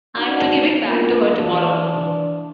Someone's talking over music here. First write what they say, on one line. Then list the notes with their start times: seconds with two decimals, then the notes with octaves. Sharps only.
I’m to give it back to her tomorrow.
0.17 D4 D#4 F#4
0.86 A#3 B3 F4
1.34 E3 D4